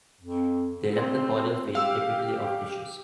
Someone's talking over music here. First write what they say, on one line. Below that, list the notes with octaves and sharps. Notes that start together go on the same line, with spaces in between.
They lack the caudal fin typical of fishes.
F2
A3 C4 C5
G4 F5 E6